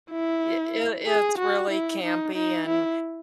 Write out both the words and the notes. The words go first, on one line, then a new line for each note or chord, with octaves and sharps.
y it it's really campy, and
E4
G#4
F#4
E4
D#4
D#4
E4